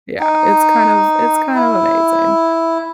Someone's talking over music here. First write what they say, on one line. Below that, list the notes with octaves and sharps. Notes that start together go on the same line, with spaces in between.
Yeah, it's kind of it's kind of amazing,
D#4
E4